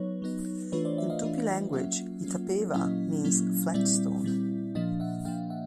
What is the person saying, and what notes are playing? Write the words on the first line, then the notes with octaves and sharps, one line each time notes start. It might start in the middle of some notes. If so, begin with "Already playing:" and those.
In Tupi language, Itapeva means "flat stone".
Already playing: F#3 B3 D#4 B4 C#5
F#3 B3 D#4
E3 A3 D4 F4 B4 C#5
C5 D5
D5 E5
D#5 F5
E3 A3 D4 F4
F#3 A#3 C#4 F4 E5 F#5
F#3 A#3 C#4 F4
A#2 F#3 A#3 C#4 E4 D#5 F5
A#2 F#3 A#3 C#4 E4
A#2 G3 C4 E4 D5 E5
A#2 G3 C4 E4
A#2 F3 A#3 D4 D#5 F5
E5 F#5
A#2 F3 A#3 D4 F5 G5
E5 F#5